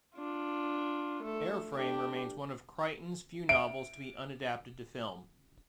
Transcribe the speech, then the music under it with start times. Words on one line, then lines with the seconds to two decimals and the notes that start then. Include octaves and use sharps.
"Airframe" remains one of Crichton's few novels to be unadapted to film.
0.15 D4 F4
1.22 A3 A4
1.74 D4 G4
3.49 E5 D7